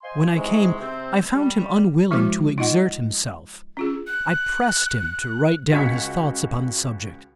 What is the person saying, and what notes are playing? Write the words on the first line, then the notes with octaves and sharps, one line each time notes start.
When I came, I found him unwilling to exert himself. I pressed him to write down his thoughts upon the subject.
C5 D#5 F5 G#5 C6
G#2 C3 E3 F#3 G#3
C3 C4
G3
F3 G#3 E4 F#4 C5 D6
D#4 F4 D#5 F#5
C#4 F4 G#4
F#6
C#2 C#4 F#4 G#6 B6 C#7